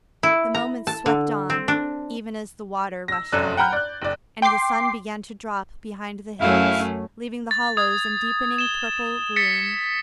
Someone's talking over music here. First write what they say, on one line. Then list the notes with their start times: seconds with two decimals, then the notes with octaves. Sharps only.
The moments swept on, even as the water rushed on, and the sun began to drop behind the hills, leaving the hollows in deepening purple gloom.
0.23 E4
0.55 A#5
0.87 A5
1.06 D3
1.50 C4
1.68 D4
3.08 E6 A#6
3.32 F1 F#2 A4 D5 F#6
3.57 F#5 G5 A#5 B5 F6 G6
3.73 D5 F#6
4.02 F#1 D5
4.42 G5 C6 D6 C7
6.40 F#2 A3 C#4 E4 F5
7.51 A6
7.77 D#6 G#6
8.58 E7 G7
9.36 A6 B6 C#7